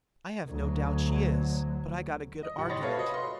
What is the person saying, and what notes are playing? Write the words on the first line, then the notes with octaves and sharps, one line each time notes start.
"I have no doubt she is, but I got a good argument."
D2 F#3
D#5
C2 G4 F#5
C#5 D#5 B5 C6 A6 A#6
A4 B4 C#5 E5 F5
F#4 B4 D#5
C6